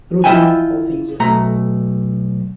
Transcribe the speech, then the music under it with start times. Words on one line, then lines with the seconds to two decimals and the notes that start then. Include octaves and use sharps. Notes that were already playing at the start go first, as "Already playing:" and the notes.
Through him all things were made.
0.24 E4 F4 D#5 E5 G5 G#5
1.20 B1 A3 A#5